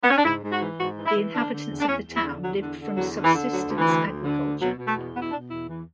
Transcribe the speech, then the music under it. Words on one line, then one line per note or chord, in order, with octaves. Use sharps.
The inhabitants of the town lived from subsistence agriculture.
B3
C#4
D4
G#2 E4
G#2
F#4
E3
G#2 F#4
E3
E4
E3
D3 D4
D3
E2
D4
E2 C#4
E2
E4
D3
E2 F#3
D3
D3
E2 F#3
D3
E3
D3
D2 F#3
D2
E3
D2
D2
D3
D2
B2 F#3
B2
A3
E2
B2 B3
E4
B2 D4
E2 E4
E3